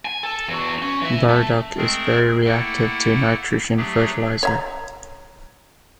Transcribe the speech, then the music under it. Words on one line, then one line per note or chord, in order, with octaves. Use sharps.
Burdock is very reactive to nitrogen fertilizer.
G#5
A4
E2 F#4
C#4
E3 E5
A3
G#3 A3 C4 G#4 A#4
A3 A#3 E4 A4 F#5 G5
F#3 A3 D4 G4 G#4
C#5 E5 A#5